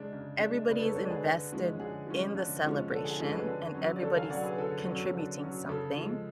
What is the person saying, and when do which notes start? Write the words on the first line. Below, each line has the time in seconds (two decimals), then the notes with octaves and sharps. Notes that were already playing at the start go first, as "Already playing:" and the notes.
everybody is invested in the celebration and everybody's contributing something,
Already playing: C#3 G#3 D4
0.13 C#3
0.40 G#3 D4
0.69 C#3 B4 D5
0.82 A4 C#5
0.96 G#3 D4 A4 C#5
1.10 G#4 B4
1.24 D3
1.52 F3 G#3 C#4
1.80 D3 G#4
2.07 F3 G#3 C#4
2.35 D3
2.63 F3 G#3 C#4
2.91 D3 A4
3.05 G#4
3.18 F3 G#3 C#4 A4
3.32 G#4 B4
3.46 D3
3.74 F#3 C#4
3.96 D5
4.02 D3 A4 C#5
4.16 F5 G#5
4.30 F#3 C#4 D5 F#5
4.43 G#4 B4
4.58 D3 A4
4.85 F#3 C#4
5.14 D3
5.42 F#3 C#4
5.69 C#3 A4
5.97 F3 G#3